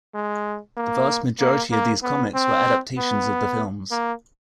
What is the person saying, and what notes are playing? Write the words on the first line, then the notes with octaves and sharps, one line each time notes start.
The vast majority of these comics were adaptations of the films.
G#3
A#3
A#3
A#3
B3
C4
B3
A#3